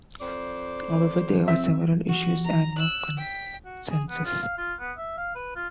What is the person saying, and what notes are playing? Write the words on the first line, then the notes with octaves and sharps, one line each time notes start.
However, there are several issues and no consensus.
F2 C5 D5
C4 E5
F#4
A#5
E6 F#6
G5 B6
F#4
G#4
B3
F4
F5
F4
B3
E5
F5
B4
F4